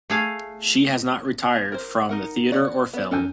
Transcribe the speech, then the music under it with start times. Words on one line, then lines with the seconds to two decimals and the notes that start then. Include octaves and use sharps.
She has not retired from the theater or film.
0.10 A3 G#4 F5
1.72 A#4 C5
2.09 D#4 A#4 F#5
2.52 F#4 D5
2.93 B3 D5
3.11 F#2 A4 A#4 G#5 G6